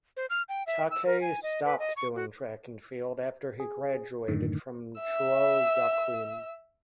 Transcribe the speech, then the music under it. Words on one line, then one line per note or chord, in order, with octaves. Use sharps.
Takei stopped doing track and field after he graduated from Chuo Gakuin.
C5
F6
G5
E5
E6
A#4
G#5
D#5
B4
D#5
C#6
F#4
G#4
F#2 A2 D3 D#3
E5 E6